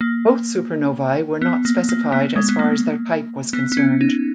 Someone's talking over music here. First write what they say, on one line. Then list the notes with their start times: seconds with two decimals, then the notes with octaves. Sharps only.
Both supernovae were not specified as far as their type was concerned.
0.01 A#3
1.42 B3
1.65 A#3
1.89 A#3
2.12 B3
2.36 G#3
2.49 B3
2.59 A#3
3.53 B3
3.72 B3
3.77 C#4
4.01 D#4